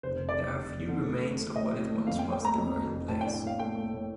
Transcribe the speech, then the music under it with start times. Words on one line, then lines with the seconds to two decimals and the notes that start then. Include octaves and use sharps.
There are a few remains of what it once was the royal palace.
0.03 F1 C5
0.20 F1
0.29 D5
0.37 F1
0.54 F1
0.71 F1
0.88 D3
1.05 A3
1.22 A3
1.38 A3
1.56 A2 D#5
1.72 A2
1.90 A3
2.07 F2 F5
2.19 G5
2.24 F2
2.32 G5
2.41 A3 A#5
2.58 F2
2.75 A3
2.91 F1
3.08 A2 A5
3.21 G5
3.26 D4
3.34 G5
3.42 A2 F5
3.59 A3 G5
3.76 A3
3.94 A2